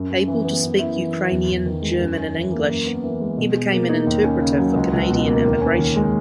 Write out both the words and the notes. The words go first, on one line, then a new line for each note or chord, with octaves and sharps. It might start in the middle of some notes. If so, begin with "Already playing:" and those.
Able to speak Ukrainian, German and English he became an interpreter for Canadian immigration.
Already playing: F#2
F#2
E3
B3
F#2
E4
E3
B3
E2
E2
D#3
G#3
F#2
C#4
E3
A#3
F#2
B3
E3
G#3
B2
G#4
A#3
D#4
D#2
C#4
C#3
F#3
C#2
C#2
B2
A#3
D#2
C#4
D#3
G#3